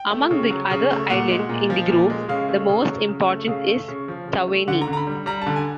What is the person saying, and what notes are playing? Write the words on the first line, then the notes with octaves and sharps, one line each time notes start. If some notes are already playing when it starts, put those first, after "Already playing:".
Among the other island in the group, the most important is Taveuni.
Already playing: G5
A3
C#3
F#3
C#3
A3
A#2 F#5
G#3
A#2
F3
A#2
G#3
C#3 F5
A3
C#3
F#3
C#3
A3
C#3 F5
A3
C#3
F3
C#3
A3
D3 F#5
A#5
D3
A#5
B5
G3
G3 A#5
A5
D3
G#5